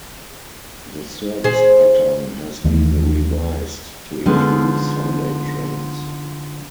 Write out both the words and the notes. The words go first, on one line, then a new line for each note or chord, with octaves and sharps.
The service pattern has been revised to include Sunday trains.
G#4 C5
D#2 D#3 E3 A3
D3 F3 G#3 B3 C#4 D#4